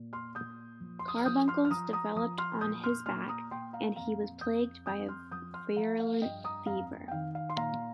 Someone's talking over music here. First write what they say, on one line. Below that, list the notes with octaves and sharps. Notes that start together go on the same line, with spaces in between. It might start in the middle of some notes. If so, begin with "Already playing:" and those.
Carbuncles developed on his back and he was plagued by a virulent fever.
Already playing: A#2
C6 F6
A#2 D#6 G6
F3
C6
D#6
F6
F3 D#6 G6
C6 F6
F6
F3 A#5 D#6
A#5 D#6
F3 A#5 D#6
C6 F6
A#2 D#6 G6
C6 F6
A#2 C6 F6
A#5 D#6
A#2 G5 C6
F5 A#5
F2 F5 A#5
F2 D#6 G6
F2 D#6 G6
C6 F6
F3 D#6 G6
C6 F6
F3 F5 A#5
F5
G2 D#5 G5
A#5 D#6
F2 F5 A#5
G5
D#3 F5
F5
C6
A#2 F5 A#5